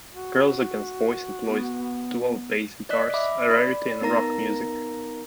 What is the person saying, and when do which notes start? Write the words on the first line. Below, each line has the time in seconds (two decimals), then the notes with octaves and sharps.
Girls Against Boys employs dual bass guitars, a rarity in rock music.
0.12 F#4
1.46 B3
2.90 D5 D#5 F#6 B6
3.14 E5 B5 D6
3.51 D5 B5
4.01 B3 D#4 A#4 A#5 A#6